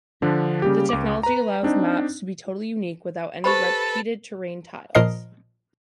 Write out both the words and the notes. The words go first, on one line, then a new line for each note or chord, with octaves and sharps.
The technology allows maps to be totally unique, without any repeated terrain tiles.
D3 F3 D4
C#3 G3 A#3 G4
C#2 D6
B4 A#5
C4 D4 D#4
G4 A4 B4 C5 B5
A#2 F3 A#4 D#5 C7